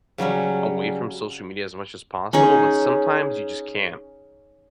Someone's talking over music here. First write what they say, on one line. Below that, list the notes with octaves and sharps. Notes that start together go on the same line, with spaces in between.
away from social media as much as possible, but sometimes you just can't.
C#3 F#3 G3 C#4
C#4 D#4 G#4